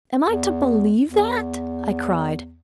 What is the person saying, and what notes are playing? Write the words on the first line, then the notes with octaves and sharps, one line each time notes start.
"Am I to believe that?" I cried.
E2
E2